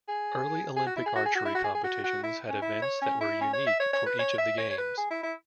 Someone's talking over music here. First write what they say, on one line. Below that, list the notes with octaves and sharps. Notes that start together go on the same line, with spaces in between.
Early Olympic archery competitions had events that were unique for each of the Games.
G#4
G#4
F#4
E4
G#4
F#4
G#4
F#4
E4
F#4
G#4
G#4
F#4
F#4
E4
C#4
E4
C#5
C#4
E4
C#4
C#5
E5
C#5
C#5
B4
C#5
E5
C#5
C#5
B4
G#4
E4
E4